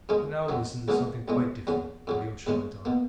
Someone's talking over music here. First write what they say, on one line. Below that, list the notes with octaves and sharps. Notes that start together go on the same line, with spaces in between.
"But now listen to something quite different!" Alyosha went on.
F#2 C#3 G#3 C#4
F2 D#3 F#3
C#2 C#3 F#3 A#3 C#4
B1 A#2 G#3
D#2 C#3 F#3 C#4
F2 C#3 F#3
D#2 C#3 G#3 C#4
B2 A#3